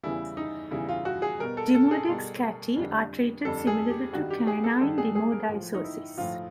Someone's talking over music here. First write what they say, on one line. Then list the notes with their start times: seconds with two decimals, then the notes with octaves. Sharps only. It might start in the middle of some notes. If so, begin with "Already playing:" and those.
"Demodex cati" are treated similarly to canine demodicosis.
0.03 E2 C#3 E3 G3 E4
0.37 D#4
0.71 E2 C#3 E3 G3 E4
0.89 F4
1.05 F#4
1.22 G#4
1.39 B2 G3 A#4
1.57 A4
1.74 A4
1.91 G#4
2.08 B2 G3
2.76 F2 D3 G3
3.45 F2 D3 G3 A4
3.67 G#4
3.90 G4
4.13 G2 D#3 G3 F#4
4.30 G4
4.47 G#4
4.64 A4
4.81 G2 D#3 G3 A4
4.98 G#4
5.15 G#4
5.32 A#4
5.49 A2 F3
5.75 D#4
5.84 E4
6.17 A2 F3 F4